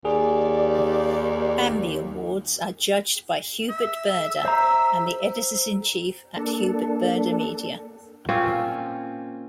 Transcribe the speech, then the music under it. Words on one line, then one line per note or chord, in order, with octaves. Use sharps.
Bambi awards are judged by Hubert Burda and the editors-in-chief at Hubert Burda Media.
D#2 G#4 D5
E5
C5 A#5
A#3 D4 A4
A#2 C4 C#4 F4